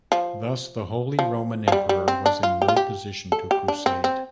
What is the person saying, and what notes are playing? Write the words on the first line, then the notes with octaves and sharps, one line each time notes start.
Thus, the Holy Roman Emperor was in no position to crusade.
F3
F3
F3
G3
G3
C4
D4
F4
G4
F4
G4
A4
G4
D4
C4
C4